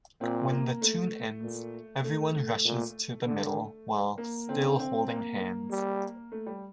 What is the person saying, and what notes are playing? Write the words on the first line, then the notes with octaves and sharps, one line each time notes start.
When the tune ends, everyone rushes to the middle, while still holding hands.
A#2 C4
A#3
A3
A#2
A3
A3
A#2
D3
A#3
D3 C4
C4
A#3
A#3
G3
A3
G3